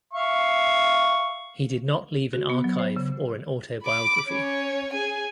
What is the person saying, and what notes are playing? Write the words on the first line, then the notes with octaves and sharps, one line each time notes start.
He did not leave an archive or an autobiography.
E5 F5 C#6
F#4
B3
F#3
C5
C#3
B5 D6
C#4 C#5
G#4 G#5